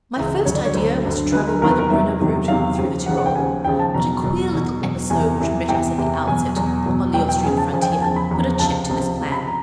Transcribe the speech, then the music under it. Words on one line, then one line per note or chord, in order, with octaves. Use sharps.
My first idea was to travel by the Brenner route through the Tyrol; but a queer little episode which met us at the outset on the Austrian frontier put a check to this plan.
C#2 C#3 E3
D2 D3 F#3 C#5
D5
C#5
D2 D3 F#3 C5
D2 D3 F#3
D2 D3 F#3 B4
A#4
E2 C3 D#3 F#3 A#4
B4
A#4
E2 C3 D#3 F#3 E5
E2 C3 D#3 F#3
E2 C3 D#3 F#3 F5
D#2 C#3 F3
D#2 C#3 F3 F#5
F#5
G5
D#2 C#3 F3 G#5
D#2 C#3 F3 G5
A5
E2 B2 F#3 A#5
E2 B2 F#3
E2 B2 F#3
E2 B2 F#3
E2 C3 E3 G#5
E2 C3 E3
E2 C3 E3 G5
E2 C3 E3
E2 B2 F#3 G#5
E2 B2 F#3
E2 B2 F#3
E2 B2 F#3 G5
G5
E2 C#3 F3 G#5
A5
E2 C#3 F3 G#5
G5
G#5
E2 C#3 F3 A5
B5
E2 C#3 F3 A#5
C#2 C3 F3 A5
C#2 C3 F3
C#2 C3 F3
B5
A#5